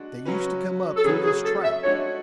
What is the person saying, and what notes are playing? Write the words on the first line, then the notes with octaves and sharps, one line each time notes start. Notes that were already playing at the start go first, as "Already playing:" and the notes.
They used to come up through this trap.
Already playing: G#3 D4 F#4
C#3 F#3 C#4 F#4 B4
A4
C#3 F#3 C#4 F#4 G#4 B4
G#4
A4
E5
G#3 D4 F#4 A4 C#5